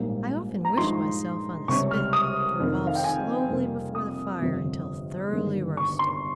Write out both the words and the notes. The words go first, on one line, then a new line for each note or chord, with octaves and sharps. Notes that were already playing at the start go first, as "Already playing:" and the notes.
I often wished myself on a spit, to revolve slowly before the fire until thoroughly roasted.
Already playing: A#1 G#2 G3 A#3 C#4
A#5
G2 F3 G#3 D#4 C6
C#2 C3 G3 C#4 C#6
F6
D#6
F1 F2 D#3
F5
G5
G#5
F2 C3 G3 A#3
D#6
G1 F2 C3 F3
G1 G2 D#3 G3 A#3
C#6
C6